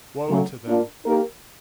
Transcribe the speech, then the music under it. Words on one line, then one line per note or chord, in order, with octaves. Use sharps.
Woe unto them!
C#3 F#3 A3
A#3 D4 F4
A#3 D#4 G4 A#4